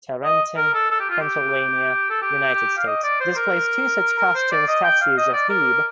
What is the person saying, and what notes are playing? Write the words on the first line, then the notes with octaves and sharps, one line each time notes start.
Tarentum, Pennsylvania, United States displays two such cast stone statues of Hebe.
D#5
A#4
A4
A4
G4
F4
G4
A4
G4
G4
F5
D#5
D5
C5
A#4
A#4
C5
D5
D#5
G5
F5
D#5
D5
A#4